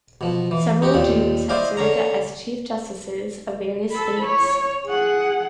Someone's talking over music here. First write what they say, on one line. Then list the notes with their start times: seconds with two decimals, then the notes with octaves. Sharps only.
Several Jews have served as Chief Justices of various states.
0.21 B2 F3
0.51 E3
0.82 D#4 F#4 G4
0.94 D#2 A#2 C4
1.49 E4 C5 D5 D#5 F5
1.77 D3 C#4 A#5
3.92 A4 B5
4.25 C#5
4.86 G#4 F#5